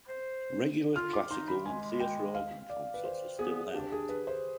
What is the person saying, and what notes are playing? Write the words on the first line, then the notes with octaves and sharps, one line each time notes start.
Regular classical and theatre organ concerts are still held.
C5
F4 F6
D6
D#4 C6
B5
G#3 G#5
G5
F5
D5
B4
C5
B3 G#4
D4 G4
G#4
B4
C5